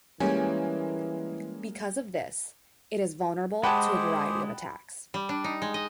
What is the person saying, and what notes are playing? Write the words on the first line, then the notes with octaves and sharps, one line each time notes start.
Because of this, it is vulnerable to a variety of attacks.
E3 G3 G#3 A#3 C#4 G#5
G#3 G4 G#4 C5 F#5 G5 A5 B5
G3
D4
D#4
G#3
D#5